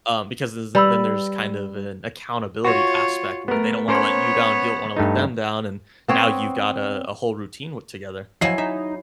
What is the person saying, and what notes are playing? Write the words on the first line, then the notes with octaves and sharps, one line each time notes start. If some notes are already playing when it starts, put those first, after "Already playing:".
um, because this then there's kind of an accountability aspect where they don't wanna let you down, you don't wanna let them down and now you've got a a whole routine with together.
G3 B4 B5 E6
F4 F#4 C#5
A3 B3 A#4
B3 C#4 A#4 C5 C#5
G2 A3 D#4
B3 C4 C#5
F3 F#3 E4 G#5 C7
D#4 E5